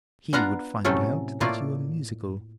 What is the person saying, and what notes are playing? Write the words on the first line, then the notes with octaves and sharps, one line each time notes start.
He would find out that you are musical.
B3 D4 F4 F5 F#5 A#5
A2 C3 F#3 A3 C#4 A4
A2 A3 A#3 F4 D5